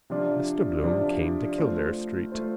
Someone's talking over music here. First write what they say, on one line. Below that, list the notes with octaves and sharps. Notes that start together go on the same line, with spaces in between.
Mr Bloom came to Kildare street.
C3 F3 D4 F4 D5
C3 F3 D4 F4 D5
A3 F4 C5
A3 F4 C5